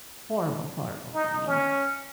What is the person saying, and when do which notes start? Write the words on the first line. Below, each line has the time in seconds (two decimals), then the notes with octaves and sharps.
horrible, horrible thing, and,
1.14 D#4
1.47 C#4